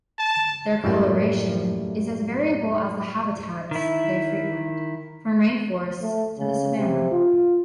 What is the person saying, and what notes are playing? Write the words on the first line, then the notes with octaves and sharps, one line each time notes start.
Their colouration is as variable as the habitats they frequent; from rainforest to savannah.
A5
F#2 A2 G3 A3 A#3
D#3 E4
A3
C#3
C3
F4